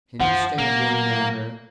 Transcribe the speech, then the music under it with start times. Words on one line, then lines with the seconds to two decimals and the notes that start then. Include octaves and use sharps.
Can you stand going down there?
0.20 F#2 D#3 F3 F#5
0.58 A#2 F#3 A#3